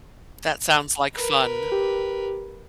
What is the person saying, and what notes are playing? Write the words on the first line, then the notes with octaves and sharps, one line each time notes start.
That sounds like fun.
A#4 B4
G4